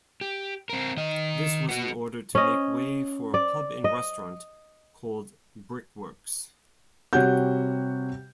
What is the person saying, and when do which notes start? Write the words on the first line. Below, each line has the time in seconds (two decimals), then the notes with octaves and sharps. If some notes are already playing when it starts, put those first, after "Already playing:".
This was in order to make way for a pub and restaurant called "Brickworks".
0.21 G4
0.69 C4 A#4
0.97 D#3 D#5
1.69 B3 F#4
2.35 C#4 D#5
3.34 D5
3.84 D#5
7.13 C3 G3 F#4 C#5 F#5 G6